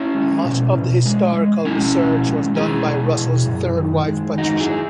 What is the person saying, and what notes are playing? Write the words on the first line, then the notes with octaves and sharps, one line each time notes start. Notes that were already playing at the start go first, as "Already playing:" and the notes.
Much of the historical research was done by Russell's third wife Patricia.
Already playing: C#4 E4
G#3
B2
B2
G#3
G#3
B2 C#4 E4
B2
G#3
G#3 E4 G#4
B2
B2
F#2
D#3
G#3
F#2 D#4 F#4
E4 G#4